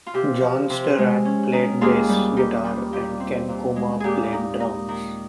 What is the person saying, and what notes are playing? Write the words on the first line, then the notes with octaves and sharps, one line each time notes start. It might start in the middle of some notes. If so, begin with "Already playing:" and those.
John Stirratt played bass guitar and Ken Coomer played drums.
F4
C3 G4
F3
C3
G#3
C#4
D#3
D#2 F4 G#4
G3
D#4 G4
G3
A#2 G4
C4
A#2
G#3
A#2 G4 G#4
D#4
D#4
D#3